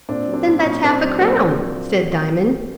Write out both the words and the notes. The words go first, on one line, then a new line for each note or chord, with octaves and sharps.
"Then that's half-a-crown," said Diamond.
A#2 C4 D4
F#3
C4 D4
A#2
C#4 D#4
A#2
A#2 C4 D4
F#3
F#3 A#3 C4
A#2